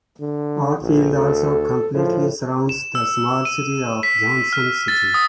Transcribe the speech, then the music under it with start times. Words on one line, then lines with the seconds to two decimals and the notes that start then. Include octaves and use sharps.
Oatfield also completely surrounds the small city of Johnson City.
0.20 D3
0.82 A#1
1.15 D2 A4
1.94 A2 F3
2.69 E7
2.95 E6
3.45 D#7
4.03 B6
4.53 F6
4.88 A6
5.14 D#6